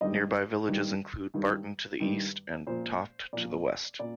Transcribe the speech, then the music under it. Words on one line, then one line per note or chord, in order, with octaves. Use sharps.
Nearby villages include Barton to the east and Toft to the west.
G2 D#3 G3 D#5
G2 D#3 G3
G2 D#3 G3
G2 D#3 G3
A#2 F3 C5
A#2 F3 D5
A#2 D5